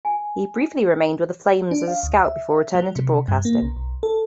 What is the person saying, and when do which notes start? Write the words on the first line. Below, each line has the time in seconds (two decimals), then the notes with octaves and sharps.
He briefly remained with the Flames as a scout before turning to broadcasting.
0.05 G#5
1.71 D4
1.88 F5
2.03 D2
2.24 E5
2.75 F#3
2.96 C3
3.28 G2
3.45 A#3
3.62 B1
3.76 B1
4.03 A4